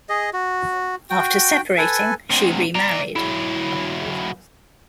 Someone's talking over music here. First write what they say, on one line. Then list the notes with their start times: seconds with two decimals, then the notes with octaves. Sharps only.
After separating, she remarried.
0.09 G#4 D#5
0.33 F#4
1.10 F#4 G5
1.78 A4 B4 G#5
2.30 D2 C3
2.75 D5 A#5
3.16 F#3 E4